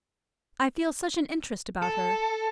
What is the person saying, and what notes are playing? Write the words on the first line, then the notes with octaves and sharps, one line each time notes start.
I feel such an interest about her.
A4